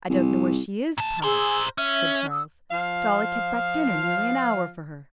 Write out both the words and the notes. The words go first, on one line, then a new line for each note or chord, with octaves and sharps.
"I don't know where she is, pater," said Charles. "Dolly kept back dinner nearly an hour for her."
C2
A#2 A5
G#4 A#4 C5 G#5 E6
C#4 E5
D#6 E6
F3 F5